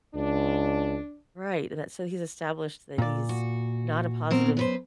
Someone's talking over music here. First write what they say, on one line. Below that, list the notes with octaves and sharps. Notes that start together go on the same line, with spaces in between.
Right, and that so he's established that he's not a positive s
C#2 D4
A#2 D5
F#4
B2 C4 A#4
F#2 B4 C5